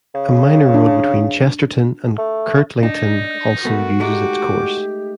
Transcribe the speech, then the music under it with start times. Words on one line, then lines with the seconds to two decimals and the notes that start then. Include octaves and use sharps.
A minor road between Chesterton and Kirtlington also uses its course.
0.15 C#3
0.74 D4
2.18 A3
2.83 D4 D#4 D#5
3.65 A3 B3 F#4 A#4
4.00 G#3 A3 D#4 G4 D6